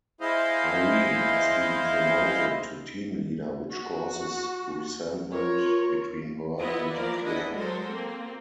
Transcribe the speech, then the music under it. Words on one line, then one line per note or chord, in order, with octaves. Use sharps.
Irene has been promoted to team leader which causes resentment between her and Clare.
G#3 E4 C5 D#5 F5
F#4
F4 A#4 C#5
B3 E4 F4 D#5
E3 F3 A#3 A#4 D5
D4 E4 G#4 D#5 F#5
F#3 G#3 A4 A#4 C5
A#3 C4